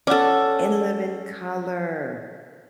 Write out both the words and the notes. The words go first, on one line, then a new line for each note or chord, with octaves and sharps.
In Living Color.
C#4 A4 D5 F#5